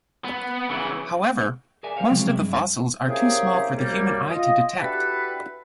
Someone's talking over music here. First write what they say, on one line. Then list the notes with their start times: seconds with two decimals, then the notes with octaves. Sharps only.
However, most of the fossils are too small for the human eye to detect.
0.25 B3
0.69 C#3 E3
1.83 G#4 A#4 D5 E5 G#5
1.97 G4 C5 C#5 F5
2.09 C3 F3 F#3 G#3 C4
2.26 G#3 D5 E5
2.38 G2
3.08 C3 A#3 C#4 E4 G4 G#4
3.77 C2 F#2 G3 A#3
4.30 F4 D#5
4.80 D4 E4 F#4 G4 A4 B4